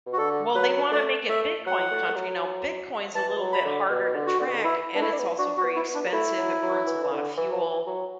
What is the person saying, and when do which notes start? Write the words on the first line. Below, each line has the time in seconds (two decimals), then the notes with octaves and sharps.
Well, they want to make it bitcoin country. Now, Bitcoin's a little bit harder to track, and it's also very expensive, it burns a lot of fuel.
0.06 B2
0.13 F#4
0.17 D3 A4
0.55 F#3 B4
0.91 A3 D5
1.29 A3 E5
1.66 F#3 F#5
1.91 A3
2.09 A3
2.16 F#3
3.15 E3 A5
3.36 E3
3.40 F#3
3.53 B5
3.65 D3
3.90 B2
4.05 B2
4.15 D3
4.27 F#4
4.39 D3
4.47 B2
4.54 D3
4.64 E3 E4
4.95 B3 D4
5.01 A3 E4
5.12 D4
5.19 B3
5.38 D4 F#4
5.57 F#4
5.63 B3
5.76 E4
5.87 B3
5.95 D4
6.07 F#3
6.13 A3 E4
6.38 F#3
6.62 F#3
6.87 E3
7.03 E3
7.12 D3
7.37 E3
7.52 F#3
7.62 E3
7.87 F#3